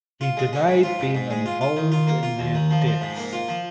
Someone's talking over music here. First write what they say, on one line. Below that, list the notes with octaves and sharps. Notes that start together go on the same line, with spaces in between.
He denied being involved in their deaths.
F4
G#3
C#4
G#2
F4
G#2
G#2
G#3
F4
F4
D#3
F4
A#3
F4
D#2
D#3
F3
F3
G#2
A#3
F4
F3